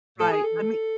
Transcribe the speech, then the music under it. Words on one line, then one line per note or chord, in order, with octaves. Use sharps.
Right. I mean
A2 A4
G#4
A4
E3